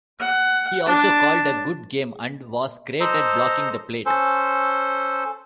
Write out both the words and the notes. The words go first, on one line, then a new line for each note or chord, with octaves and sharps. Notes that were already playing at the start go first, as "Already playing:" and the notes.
He also called a good game and was great at blocking the plate.
F#5
D4
A4 C5 D#5 A#5
C#4 A4 C5